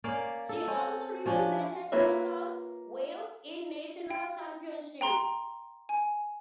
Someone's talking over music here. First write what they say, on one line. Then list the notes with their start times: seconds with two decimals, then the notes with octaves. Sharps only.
She also represented New South Wales in National Championships.
0.04 A#3 C#4 D5 F5
0.49 A4
0.67 C4 C#4
1.26 F3 C#4 D4
1.92 A#3 F4 B4 C#5 E5
4.10 G5
5.01 G5 A#5 C6
5.89 G#5